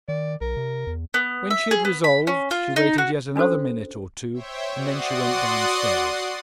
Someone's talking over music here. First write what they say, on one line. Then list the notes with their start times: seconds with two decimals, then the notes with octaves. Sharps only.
When she had resolved, she waited yet another minute or two, and then she went down-stairs.
0.08 D#3 D5
0.41 B1 A#4
0.57 C3
0.87 E2
1.14 B3
1.51 E5
1.71 G#4
1.85 B3
2.04 B5
2.27 C#4
2.51 F4
2.76 D#4
2.98 F#4
3.36 C#4 D4 F#4 A4 C5
4.34 C5 C#5 E5 G5
4.74 F#4 D5 F#5 C6 D#6